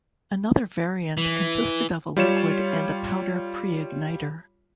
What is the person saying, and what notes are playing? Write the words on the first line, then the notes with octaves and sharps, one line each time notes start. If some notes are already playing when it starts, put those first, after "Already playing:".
Another variant consisted of a liquid and a powder preigniter.
E3
G3 F4 C#5 E7